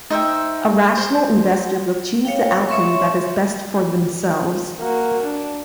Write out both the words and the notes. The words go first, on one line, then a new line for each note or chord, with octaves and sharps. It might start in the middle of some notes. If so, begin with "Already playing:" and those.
A rational investor will choose the outcome that is best for themselves.
D#4 C5 E5 G5
C5
C#5 F5 G5
C#5 E5 C6 C#6
A#3 F#4
D4